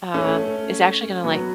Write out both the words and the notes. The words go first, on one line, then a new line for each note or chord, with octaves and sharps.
um, is actually gonna, like
A3 C#4
F#3 B3